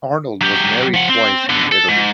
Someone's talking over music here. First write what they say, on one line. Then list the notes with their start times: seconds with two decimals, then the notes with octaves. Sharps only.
Arnold was married twice in Italy.
0.41 F#3 G4
0.94 F3 F#5
1.09 C4
1.49 D3 B3
1.72 A4
1.89 G#2